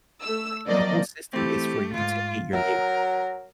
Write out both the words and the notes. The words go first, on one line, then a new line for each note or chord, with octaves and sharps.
Right, the whole system is for you to hate your neighbor.
A3 E6
F3 F#3 A#3 C4 D5 D#5
E3 A3 C4 G4
D#2 G#2 F4
F#3 A#4 E5